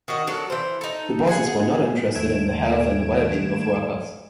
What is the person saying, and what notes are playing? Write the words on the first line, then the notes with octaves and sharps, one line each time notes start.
The bosses were not interested in the health and well-being of workers.
D#3 F#4 D#5
F#3 D4 A4 A#4
E3 C5
D#4 A4
G#4 F#5 G#5
D#2 A3 G#6 D7 E7